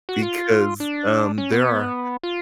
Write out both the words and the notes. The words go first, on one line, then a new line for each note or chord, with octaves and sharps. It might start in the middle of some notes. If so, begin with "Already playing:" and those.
Because, um, there are
F#4
F4
D4
C#4
B3
F4